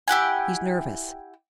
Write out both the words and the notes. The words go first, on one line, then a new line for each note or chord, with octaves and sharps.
He's nervous.
E4 G4 F#5 G#5